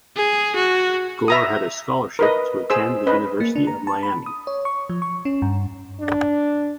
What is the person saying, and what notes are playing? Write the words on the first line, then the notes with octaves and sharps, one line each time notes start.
Gore had a scholarship to attend the University of Miami.
G#4
F#4
E5 A#5 D#6
A#4 B4 D#5
G#4 C5 E6
C#4 B4 D#5
A#3
D4
A#5
A5
B5
D#6
C#5
C#6
F3
C#6
C#4
G2
D4